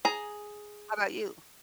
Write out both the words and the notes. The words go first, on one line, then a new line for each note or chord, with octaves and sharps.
How 'bout you?
G#4 A#5